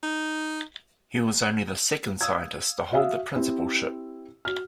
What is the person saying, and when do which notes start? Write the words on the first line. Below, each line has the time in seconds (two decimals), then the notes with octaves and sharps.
He was only the second scientist to hold the Principalship.
0.03 D#4
2.21 F5 D#6 E6 G#6
2.92 F#4 E5 F5 D#6 E6
3.36 C4 E4 G4
4.45 F#4 F6